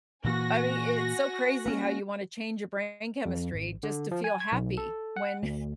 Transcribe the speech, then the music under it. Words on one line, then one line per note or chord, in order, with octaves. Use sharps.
I mean, it's so crazy how you wanna change your brain chemistry just to feel happy when,
A#2 E3 A#3 F#4 G#5 A#6
A#3 C4 C#4
F2
G#1
D3
F3
G#5
G#6
B1
A4
F#5
D2